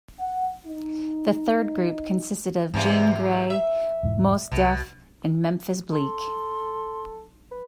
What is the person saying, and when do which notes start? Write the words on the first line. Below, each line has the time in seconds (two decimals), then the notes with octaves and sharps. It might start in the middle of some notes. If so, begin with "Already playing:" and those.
The third group consisted of Jean Grae, Mos Def and Memphis Bleek.
0.18 F#5
0.66 D#4
2.74 E2 G#2 C3 A#3
3.50 E5
4.03 E1 G#2 E3
4.52 C2 B2
5.92 A4 C6
7.51 B4